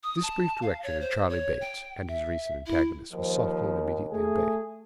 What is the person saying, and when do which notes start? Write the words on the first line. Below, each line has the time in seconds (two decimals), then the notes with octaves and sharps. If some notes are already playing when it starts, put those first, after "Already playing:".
This brief direction to Charley Bates, and his recent antagonist, was softly and immediately obeyed.
0.03 D#6
0.23 A5
0.62 F5
0.83 C#5
1.01 C5
1.29 C#5
1.61 G5
2.08 E5
2.66 E4
3.12 D#2 F3
4.11 A3 G#4